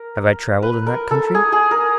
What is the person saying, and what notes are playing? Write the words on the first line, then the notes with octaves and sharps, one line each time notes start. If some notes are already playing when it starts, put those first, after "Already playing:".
Have I travelled in that country?
Already playing: A#4
B4
A#4
A4
G#4
G#4
A#4